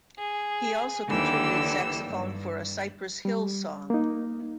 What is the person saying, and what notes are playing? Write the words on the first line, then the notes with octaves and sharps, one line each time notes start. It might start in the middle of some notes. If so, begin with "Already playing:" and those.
He also contributed saxophone for a Cypress Hill song.
G#4
D#2 D3 E3 G3 E6
G2
G3
A#3 D#4